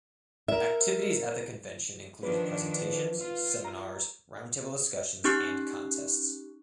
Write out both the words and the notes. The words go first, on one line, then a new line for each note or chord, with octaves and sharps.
Activities at the convention included presentations, seminars, round-table discussions and contests.
E4 A#4 E5
D#3 F3 D4 B4
F4
A#5
C#4 D#4 G4 C#6 F#6 C7